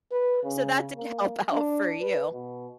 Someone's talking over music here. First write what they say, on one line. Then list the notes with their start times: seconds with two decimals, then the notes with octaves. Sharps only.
so that did help out for you.
0.12 B4
0.44 C#3
0.96 A#3
1.52 D4
2.01 B4
2.33 B2